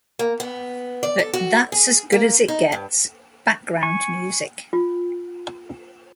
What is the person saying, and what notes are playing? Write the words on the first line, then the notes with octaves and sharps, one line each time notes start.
But that's as good as it gets: "background music".
A#3
B3
D5
A4
F#4
G#4
A#3
D#4
G2
G#5 C#6
F4